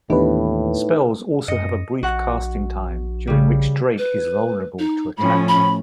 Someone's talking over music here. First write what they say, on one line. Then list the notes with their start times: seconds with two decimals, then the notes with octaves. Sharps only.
Spells also have a brief casting time, during which Drake is vulnerable to attack.
0.10 D#2 A2 E3 B3 D4 D#4 G4 B4
1.48 F#2 D#5 C#7
2.03 A#1 F#4 F#5
3.27 C#3 G3
3.98 B4
4.79 D#4
5.17 A2 F3 C#4 B5
5.48 B5